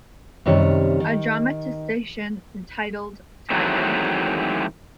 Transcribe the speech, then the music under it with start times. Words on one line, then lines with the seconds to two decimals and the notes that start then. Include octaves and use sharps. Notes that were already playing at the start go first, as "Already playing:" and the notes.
A dramatisation titled Tiger!
0.46 F#2 C3 D#3 G3 C#5
1.00 D#3
3.50 D#3 E3 F#3 G#3 A3 C4